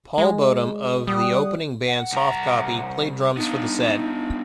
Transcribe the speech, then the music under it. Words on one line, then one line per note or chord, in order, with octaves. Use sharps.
Paul Boddum of the opening band Soft Copy, played drums for the set.
G#3
G3 F#5 D#6
F#5
C2 A#5
B3 D4 D#4